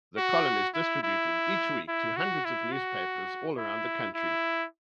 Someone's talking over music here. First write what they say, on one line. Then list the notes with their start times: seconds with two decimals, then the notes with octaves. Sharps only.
The column is distributed each week to hundreds of newspapers all over the country.
0.18 F#4
0.74 E4
1.03 E4
1.88 E4
2.16 F#4
2.45 E4
2.72 F#4
3.58 E4
4.15 E4